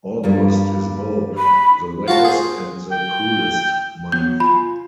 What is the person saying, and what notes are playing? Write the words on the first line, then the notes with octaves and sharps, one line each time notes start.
August is both the wettest and the coolest month.
G2 G3 A#3
B5
F4 F#4 A5
G#4 C5
G5
F#3 B3 G6
F4 G#5 B5